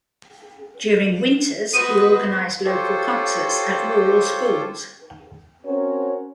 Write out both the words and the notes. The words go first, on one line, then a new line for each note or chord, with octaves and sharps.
During winters, he organized local concerts at rural schools.
B3 F#4 B4 C5 D#6 D#7
F4 G4 A4 C5 C#5
C4 C#4 F#4 A#4 C#5